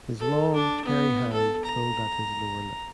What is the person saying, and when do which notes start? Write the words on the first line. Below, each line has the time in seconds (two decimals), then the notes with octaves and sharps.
His long hairy hand pulled at his lower lip.
0.20 A4
0.54 D4
0.86 B3
1.33 A4
1.65 A#5